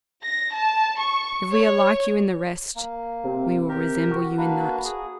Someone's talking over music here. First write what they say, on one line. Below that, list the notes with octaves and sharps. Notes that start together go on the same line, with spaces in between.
If we are like you in the rest, we will resemble you in that.
A#6
A5
C#6
C#5
A#3
C3
G4 A#4
F#4
A#3 D4 B4
G#4